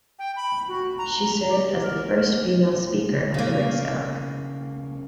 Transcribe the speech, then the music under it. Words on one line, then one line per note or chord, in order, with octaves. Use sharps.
She served as the first female Speaker of the Riksdag.
G5
B5
F#4
A#5
A#5
G4
A#4
C#3 A#3